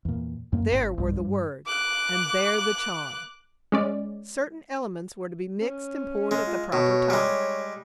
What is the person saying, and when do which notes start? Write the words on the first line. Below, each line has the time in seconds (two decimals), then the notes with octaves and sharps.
There were the words, and there the charm. Certain elements were to be mixed and poured at the proper time.
0.05 E2 A#2
0.52 F#2 A#3
0.72 G#1
0.98 B1 G2
1.16 G2
1.66 D6 F#6
3.72 G#3 C#4 D5
5.61 C#4
6.31 G#3 C#4
6.47 F4
6.72 B2 C#5
7.10 G3 G#3